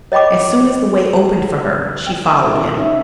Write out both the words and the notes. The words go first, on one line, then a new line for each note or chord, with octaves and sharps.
As soon as the way opened for her, she followed him.
C#5 D#5 G5 B5 D6
G5
C3 D#3 A3
C#4 D#4 E5